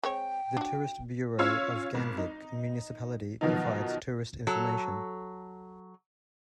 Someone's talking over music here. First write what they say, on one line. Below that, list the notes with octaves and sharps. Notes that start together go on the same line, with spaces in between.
The tourist bureau of Gamvik municipality provides tourist information.
G#3 C4 C#5 G5
D4 F#4
C#4 F4 C#5 F5 E6 G#6
G#1
D#4
B2 D#3 F3 F#3 B3 D#4
F#3 A4